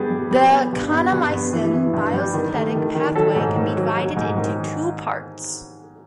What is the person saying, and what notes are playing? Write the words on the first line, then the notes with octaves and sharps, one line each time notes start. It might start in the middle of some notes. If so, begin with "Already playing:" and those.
The kanamycin biosynthetic pathway can be divided into two parts.
Already playing: G2 G3 B3 G#4
G3
G3
B3
G2
B3
G2
B3
E3
E3
G2
G3
D#3
A3
D#3
D#3
F#3 A4
G#2
D#3
F#3
F#3
G#2
D#3